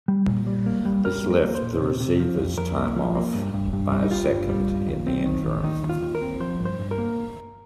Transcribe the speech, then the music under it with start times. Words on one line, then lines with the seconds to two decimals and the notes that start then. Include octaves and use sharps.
This left the receiver's time off by a second in the interim.
0.08 G3
0.28 A#2
0.47 G3
0.66 A#3
0.85 G3
1.04 G3 A#4
1.24 A#3
1.30 A#4
1.43 A#3
1.55 C5
1.62 A#2
1.81 C3
2.00 C3
2.20 F3
2.38 F2
2.58 F2 A#4
2.77 A#3
2.96 F3
3.15 A#3
3.34 G2
3.54 G2
3.73 G2
3.92 G3
4.02 D#4
4.11 G3 F4
4.30 G2
4.49 G3
4.68 G2
4.87 D#2
5.07 C4
5.26 D#3
5.45 D#2
5.63 D#3 D#4
5.83 D#2
5.89 F4
6.02 D#2
6.15 A#4
6.21 C4
6.40 F3 C5
6.60 G2
6.65 C5
6.79 G2
6.91 A#4
6.98 A#3